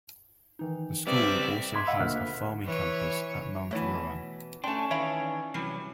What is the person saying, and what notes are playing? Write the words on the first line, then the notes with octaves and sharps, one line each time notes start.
The school also has a farming campus at Mount Rowan.
D#3 E3 D#4
G3 C4 B4 D5 E5
C6 D6 G#6 B6
D#5 F5 F#5 B5 E6
D2 A#2 F6 F#6 B6
E3 C#5
B2 E3 A3 C#5
A3 C#4 D4 G5 A5 C6
D#3 E3 D4 C#5 E5 F5 B5
C3 E3 F#3 G3 C7